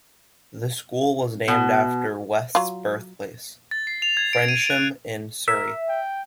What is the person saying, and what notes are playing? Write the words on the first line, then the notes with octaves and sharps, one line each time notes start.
The school was named after West's birthplace, Frensham in Surrey.
B2
F#3 F4
A6
C7
F7
G#6
D7
D#7
F#6
A#4 E5
G5